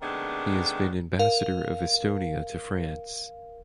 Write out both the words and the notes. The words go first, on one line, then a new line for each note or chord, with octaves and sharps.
He has been Ambassador of Estonia to France.
C3 D#3 G#3 A3 B3 D4
A#4 F5